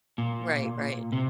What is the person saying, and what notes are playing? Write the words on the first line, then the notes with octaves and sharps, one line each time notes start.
Right, right.
A#2
C3